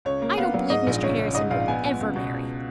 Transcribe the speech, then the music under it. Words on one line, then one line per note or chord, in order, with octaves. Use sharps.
I don't believe Mr. Harrison will ever marry.
C#2 C#5
A#3
B3 F5
F#3
G#2 D#5
A#1
C#2 C#5
C#2
G#2 D#5
A#1 F5
B3 G#5
B3
C#2
B2
C#2